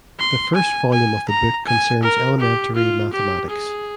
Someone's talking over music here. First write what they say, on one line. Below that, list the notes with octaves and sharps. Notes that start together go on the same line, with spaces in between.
The first volume of the book concerns elementary mathematics.
C6
G#5
G#5
A#5
G#5
A#4
G4
F4
G4
G#4